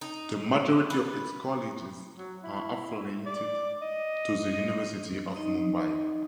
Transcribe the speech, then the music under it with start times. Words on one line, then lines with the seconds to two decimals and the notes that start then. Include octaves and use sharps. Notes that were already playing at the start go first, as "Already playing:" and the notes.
The majority of its colleges are affiliated to the University of Mumbai.
0.01 D#4
0.90 B4
2.17 F#3
2.44 E4
3.26 D5
3.82 D#5
5.35 D#4 D#5 D#6